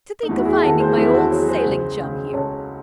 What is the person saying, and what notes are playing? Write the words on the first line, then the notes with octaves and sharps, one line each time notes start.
To think of finding my old sailing chum here!
D#4
E2 E4
F#4
E4 G#4
D#3 F#4 A4
G#4 C5
E2 E4 G#4
F#4 A4
F#3 G#4 C5
G#4 C5
C#2
C#3
C#2 A4 C#5